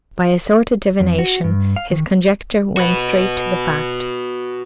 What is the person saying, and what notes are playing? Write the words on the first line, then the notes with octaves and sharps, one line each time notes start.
By a sort of divination his conjecture went straight to the fact.
F2
F#4
G2
F5
D#3
F#4 B4